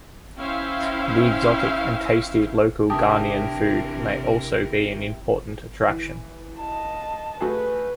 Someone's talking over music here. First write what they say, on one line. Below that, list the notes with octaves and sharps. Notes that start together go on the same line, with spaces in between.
The exotic and tasty local Ghanaian food may also be an important attraction.
C#4 E4 C5 E5 F5 G5
C3 E3 D4 E4 G4 A#4 A5 D#6
E3
D#5 A5
A3 F#4 G#4 B4